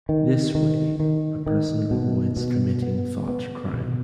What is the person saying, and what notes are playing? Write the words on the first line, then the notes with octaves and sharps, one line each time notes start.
This way, a person avoids committing thoughtcrime.
D#3
D#3
D#3
D#3
B2
B2
B3
B3
B2